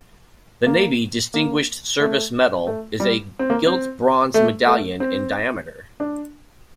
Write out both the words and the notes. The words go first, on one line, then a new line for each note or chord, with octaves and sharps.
The Navy Distinguished Service Medal is a gilt bronze medallion in diameter.
A#3
A#3
A3
A3
G3
C4
A#3
C4
A3
A3
C4
D4